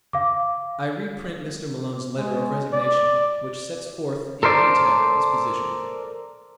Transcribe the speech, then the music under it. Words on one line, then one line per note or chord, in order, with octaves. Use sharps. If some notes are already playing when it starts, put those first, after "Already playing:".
I reprint Mr. Malone's letter of resignation which sets forth in detail his position.
F5 D6
G#3
D5
A4 A#4 C5 D5